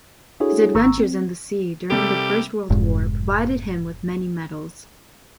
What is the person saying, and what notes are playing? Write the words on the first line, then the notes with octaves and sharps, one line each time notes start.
His adventures in the sea during the First World War provided him with many medals.
D4 E4 F#4 G#4 A4 C#5
G#1 A#5 C#6 E6
C4
C3 G3 G4 A4
F1 G#2